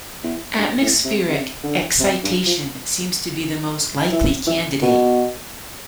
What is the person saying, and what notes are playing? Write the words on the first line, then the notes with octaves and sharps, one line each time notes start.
Atmospheric excitation seems to be the most likely candidate.
E2
G2
A2
C3
C3
D3
C3
G2
F3
E3
E3
B2